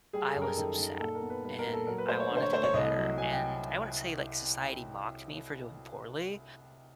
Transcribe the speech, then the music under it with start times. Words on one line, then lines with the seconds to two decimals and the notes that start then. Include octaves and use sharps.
I was upset, and I wanted to do better. And I wouldn't say, like, society mocked me for doing poorly,
0.13 G3 G#4
0.28 A4
0.35 F#2
0.42 A#4
0.57 D#3 A4
0.79 D#3
1.00 A#2 A4
1.15 A#4
1.22 B3
1.30 B4
1.44 G3 B4
1.59 A#4
1.66 A#2
1.73 A4
1.87 F#3 A#4
1.98 B4
2.09 A3 C5
2.20 C#5
2.31 D3
2.37 C5
2.42 C#5
2.53 A3 C5
2.63 C#5
2.74 C2 D#5
2.96 F#3
3.17 F#3 G#5
3.33 G5